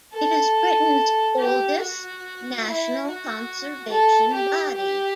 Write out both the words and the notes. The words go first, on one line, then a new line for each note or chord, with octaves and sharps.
It is Britain's oldest national conservation body.
A4
G4
F#4
E4
F#4
A4
G4
G4